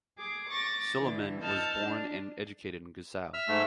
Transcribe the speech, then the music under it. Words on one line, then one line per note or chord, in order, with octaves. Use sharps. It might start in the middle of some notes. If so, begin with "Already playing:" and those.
Suleiman was born and educated in Gusau.
G#4 D6
C#6 D6 A6 A#6
D3 E3
A4 D#5 A5 F6 G6
D4
E5 E6 F6
G#2 A3